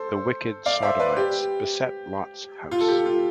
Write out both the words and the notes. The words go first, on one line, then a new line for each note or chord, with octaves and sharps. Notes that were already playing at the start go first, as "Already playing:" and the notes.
The wicked Sodomites beset Lot's house.
Already playing: A4 C5
D5 F5
C5 E5
B4 D5
G4
F4
A4
G4
F4